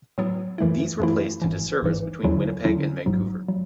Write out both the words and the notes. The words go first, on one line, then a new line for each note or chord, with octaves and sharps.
These were placed into service between Winnipeg and Vancouver.
A2 F#3 B3
F#2 E3 A3 E4
F#2 E3 A3 E4
G#1 G#2 E3
G#1 G#2 E3
E2 D3 F#3 C#4 E4
E2 D3 F#3 C#4 E4
G#1 G#2 F#3
F#3